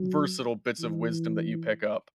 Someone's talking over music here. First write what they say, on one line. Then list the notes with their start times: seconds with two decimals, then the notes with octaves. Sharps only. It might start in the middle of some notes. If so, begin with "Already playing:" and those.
versatile bits of wisdom that you pick up.
Already playing: F#3
0.80 E3